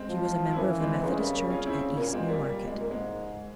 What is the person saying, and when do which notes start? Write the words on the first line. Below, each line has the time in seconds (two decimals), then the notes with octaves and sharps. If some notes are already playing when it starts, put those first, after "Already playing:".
She was a member of the Methodist church at East New Market.
Already playing: G#3 C4
0.09 F3
0.53 E4
0.56 E3 A#3 C#4
0.80 G#3 C4
1.04 C#3 G#3 C4
1.18 G3 A#3
1.34 G3 A#3
1.50 C#4 F4
1.66 C4 E4
1.97 A#2 A#3 C#4
2.13 G#3 C4
2.28 G3 A#3
2.44 G3 A#3
2.67 G#3
2.81 A#3
2.91 G#2 G#3